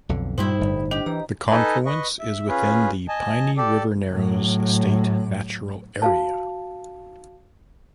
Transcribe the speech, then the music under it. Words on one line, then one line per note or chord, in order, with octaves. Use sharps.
The confluence is within the "Piney River Narrows State Natural Area".
B1 F2 D3
G2 A#2 G3 D#4 E4 G4 C5
G1 A2
D4 G4 D#5
E3 A#5
D#4 A4 B4 D#5 G#5
B4 D#5 C#6
E5
C#4 F4 G#4 B4
D#5 G#5 A5
G4 A4 D5
A2 F#3
F#4 F5 A5